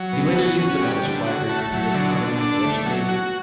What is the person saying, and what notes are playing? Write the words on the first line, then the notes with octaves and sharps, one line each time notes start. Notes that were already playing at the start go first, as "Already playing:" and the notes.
He later used the knowledge acquired during this period to modernise the Russian navy.
Already playing: F#3
B2
F#4
C#4
G3
D3
F#4
A3
F#3
D3
D3
D4
A3
F#3
F#4